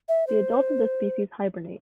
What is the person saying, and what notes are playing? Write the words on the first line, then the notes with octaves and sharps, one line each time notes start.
The adults of the species hibernate.
E5
C5